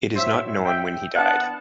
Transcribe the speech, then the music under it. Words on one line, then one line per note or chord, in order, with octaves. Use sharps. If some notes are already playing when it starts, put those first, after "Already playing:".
It is not known when he died.
F#3 C4 E4 C5 E5
E5 G5
E3 B3 D4 F#5 A5